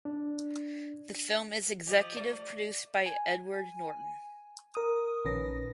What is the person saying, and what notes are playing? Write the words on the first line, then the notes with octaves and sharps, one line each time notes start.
The film is executive produced by Edward Norton.
D4
F3 G4 D#5
A3 D5
G#5
A#4 D#6
A#1 D#3 C#4 B4 A#6